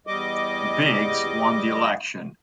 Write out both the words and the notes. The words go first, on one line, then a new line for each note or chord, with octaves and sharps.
Biggs won the election.
E2 G3 D#5 D6